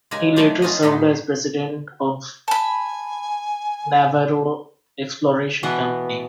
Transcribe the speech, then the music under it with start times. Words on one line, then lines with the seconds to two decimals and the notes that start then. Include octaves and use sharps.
He later served as President of Navarro Exploration Company.
0.11 C#3 G#3 G4 A#4 G#5
0.36 D3 E3 F#3 A3 C5 D5
0.62 C#4 F4 F#4 A#4 D#5
0.82 A2 D#3 G3 A3 D#4
2.48 G#5 A5 B5
5.63 B2 E3 B3